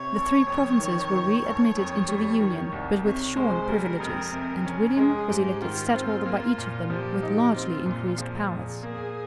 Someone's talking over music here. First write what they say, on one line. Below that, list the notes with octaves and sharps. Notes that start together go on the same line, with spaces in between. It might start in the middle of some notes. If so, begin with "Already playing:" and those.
The three provinces were re-admitted into the Union, but with shorn privileges; and William was elected stadholder by each of them with largely increased powers.
Already playing: C3 C#5
F1
F2
D#3
D#3
F1
F2
G3
D#3
C2
C3 C#5
G#3 C5
G3 A#4
F2
C3
C#4
G#3 G#4
G#2 G4
D#3 F4
C4
A#3
A#2
F3 G4
D#4
C4 F4
A#2
F3 G#4
A#2 G#4
A#3 G#4